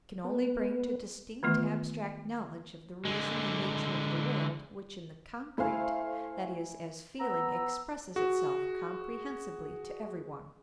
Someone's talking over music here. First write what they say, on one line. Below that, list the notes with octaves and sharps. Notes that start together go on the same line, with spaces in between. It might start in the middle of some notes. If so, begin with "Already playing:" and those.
It can only bring to distinct abstract knowledge of the reason the nature of the world which in the concrete, that is, as feeling, expresses itself comprehensibly to every one.
B3 B4
D#3 E3 A3 B3 F4
D3 G#3
A3 E4 C5 F5 G#5
B3 A#5 E6
F#4 G#4